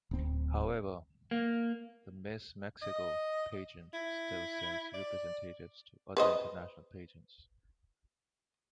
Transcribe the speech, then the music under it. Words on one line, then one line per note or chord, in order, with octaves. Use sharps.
However, the "Miss Mexico" pageant still sends representatives to other international pageants.
D1 C4
A#3
D#5
E4
D5
B4 C5 D#5